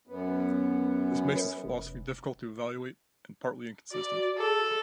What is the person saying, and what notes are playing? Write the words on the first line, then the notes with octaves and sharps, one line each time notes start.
This makes his philosophy difficult to evaluate and partly inconsistent.
F#2 B3
F1
F#4 D5
G#4 A4